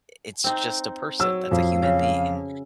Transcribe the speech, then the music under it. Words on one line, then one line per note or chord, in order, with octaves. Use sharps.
it's just a person, that's a human being. And
C4 D#4
F#3 E6
F2 F5
C#3